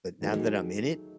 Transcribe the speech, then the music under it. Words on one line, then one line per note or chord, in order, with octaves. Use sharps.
But now that I'm in it,
D#3 F#3 A3 D#4 G#4